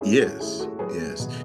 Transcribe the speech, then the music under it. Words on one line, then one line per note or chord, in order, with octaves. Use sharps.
Yes, yes,
C#4 E4 G#4
F#4 A4
A3 E4 G#4
F#4 A4
F#3 G#4 B4
B2